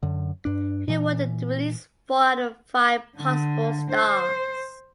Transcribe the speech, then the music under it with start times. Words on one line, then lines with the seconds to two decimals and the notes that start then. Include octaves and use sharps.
He awarded the release four out of five possible stars.
0.03 F#2 D3
0.45 G2 D4
0.88 A#2 E3
3.17 D3
3.90 C5